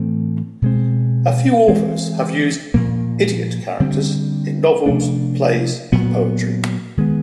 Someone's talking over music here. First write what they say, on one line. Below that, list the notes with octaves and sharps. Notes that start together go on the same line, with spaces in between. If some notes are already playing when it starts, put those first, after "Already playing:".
A few authors have used "idiot" characters in novels, plays and poetry.
Already playing: A2 E3 A3 C4
B2 G#3 C4
E3 G#3 C4
A#2 F3 A#3
D3 G3 C4
C3 F3 A3 D4
A#2 F#3 B3
D#3 G#3 B3